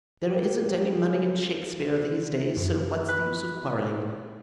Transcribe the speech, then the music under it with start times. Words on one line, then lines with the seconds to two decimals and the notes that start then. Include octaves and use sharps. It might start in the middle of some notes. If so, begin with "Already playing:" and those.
There isn't any money in Shakespeare these days, so what's the use of quarrelling?
0.23 G4
0.81 C#3
2.57 F#2
3.08 B4 F#6